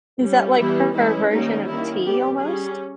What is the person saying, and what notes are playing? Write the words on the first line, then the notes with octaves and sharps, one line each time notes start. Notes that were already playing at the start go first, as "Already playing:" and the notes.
Is that like her version of tea almost?
G3 C#4
E3 G3 B3 E4
E3 G#3 C#4 E4
D#3 G3 A#3 C#4 D#4
D#3 A#3 C#4 E4
G3 B3 G4
G3 C#4 G#4